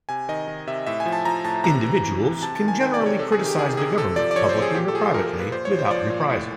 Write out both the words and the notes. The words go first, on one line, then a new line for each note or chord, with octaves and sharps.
Individuals can generally criticize the government publicly or privately without reprisal.
C3 G#5
D#3 D#5
D#3
C3 E5
A2 E5
G#5
F3
A5
F3 A#5
A2 A5
C3 A#5
E3
E3
C3
C3 A5
A5
D#3
G#5
D#3 G5
D5
C3
C#5
C3 A4
G#4
D#3
G4
D#3 G#4
C3 G#4
C3 A4
F3 D5
D5
F3 C#5
C5
C3
G#4
A#2 G4
A4
F3 G#4
A4
F3 A#4
A#4
A#2
B4
A#2 C5
C#5
F3
C5
F3 D5
A#2
A2